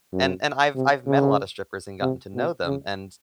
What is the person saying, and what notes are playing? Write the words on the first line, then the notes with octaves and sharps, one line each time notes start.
And and I've I've met a lot of strippers and gotten to know them, and
F#2
C3
C#3
C3
B2
C#3